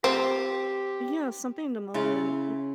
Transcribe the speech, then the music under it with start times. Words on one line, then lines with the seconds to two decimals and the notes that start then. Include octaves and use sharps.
yeah, something in the moment
0.04 C4 F4 G4 F5
1.94 C#3 E4 F4